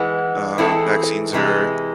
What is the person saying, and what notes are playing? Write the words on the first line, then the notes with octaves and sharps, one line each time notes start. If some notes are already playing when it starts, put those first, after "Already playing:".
uh, vaccines are
Already playing: E3 G#3 B3
E3 G#3 C4 E4 A4
C3 E3 G#3